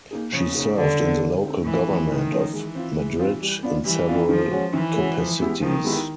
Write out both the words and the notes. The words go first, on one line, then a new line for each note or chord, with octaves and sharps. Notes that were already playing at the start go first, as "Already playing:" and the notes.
She served in the local government of Madrid in several capacities.
A#3 D#4 G#4
C#3 F3
A#3 D#4 G#4
D3 G3
C4 D#4
G3
C4 D#4
A2 E3
F3 A3 C#4
A2 D#3
F3 A3 C#4
E3 G#3
C4 F4
G#3
C4 F4
G3
B3 D4 F4
E3 G3
B3 D4 F4
D#3 F3
G#3 C#4 F#4
D#3 E3
G#3 C#4 F#4
F3
G#3 B3 E4 G4
D#3 F3
G#3 B3 E4 G4